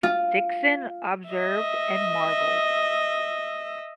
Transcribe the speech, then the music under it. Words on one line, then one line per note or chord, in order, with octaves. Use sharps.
Dickson observed and marvelled.
F4
D#5 E5